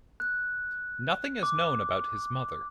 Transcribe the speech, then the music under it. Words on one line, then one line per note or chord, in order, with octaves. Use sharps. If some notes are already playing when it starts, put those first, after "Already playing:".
Nothing is known about his mother.
F#6
D6